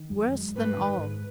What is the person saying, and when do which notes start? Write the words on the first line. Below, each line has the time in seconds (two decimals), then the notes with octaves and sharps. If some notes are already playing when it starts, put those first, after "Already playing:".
Worse than all!
Already playing: D#3
0.11 F#2
0.33 G#3
0.54 G#2 B4
0.77 D#3
0.99 G#2